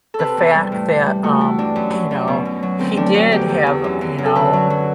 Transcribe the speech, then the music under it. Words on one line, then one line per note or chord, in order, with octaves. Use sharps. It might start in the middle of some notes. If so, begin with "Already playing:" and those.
the fact that, um, you know, he did have, you know
A4
C3 B4
E2
G3
A2
G3
G3
A3 F#4
E3 E4
G2 D4
F#2
F#3
F#2
B2
B2
F#3
D2 C4
D2 D4
D2 F#4
E2 G4
E2
E2
F#2
F#2
F#2
A4
D3 B4
F#3
F#3